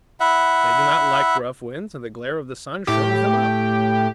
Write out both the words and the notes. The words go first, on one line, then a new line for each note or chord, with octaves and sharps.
They do not like rough winds, and the glare of the sun shrivels them up.
E4 E5 F#5
A2 G4